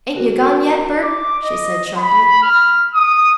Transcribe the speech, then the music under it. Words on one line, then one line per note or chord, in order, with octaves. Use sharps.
"Ain't you gone yet, Bert?" she said sharply.
F#4 A#4
D6
D#5
B5
F6
D#6